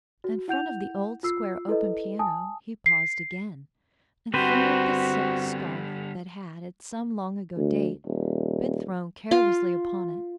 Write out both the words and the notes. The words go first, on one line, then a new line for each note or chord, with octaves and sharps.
In front of the old, square, open piano he paused again, and fingered the silk scarf that had, at some long ago date, been thrown carelessly upon it.
F#4
E4 F#5 G6 F7
F4 E6 C7
E4 A4 B4 D#5
G#5 A5 D#6
C7
D3 G3 C4 F#4 B4 C5
D2
D#1
F4 F5